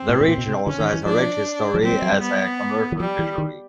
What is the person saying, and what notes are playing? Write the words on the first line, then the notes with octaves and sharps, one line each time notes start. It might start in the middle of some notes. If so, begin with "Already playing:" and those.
The region also has a rich history as a commercial fishery.
Already playing: C4
A2
A2
A#2
B2
C3
D3 C#4
D#3
E3
F3 D4
F3
F#3 C4
G3
F#3
G3
B3
E3
F3 G3
E3
D#3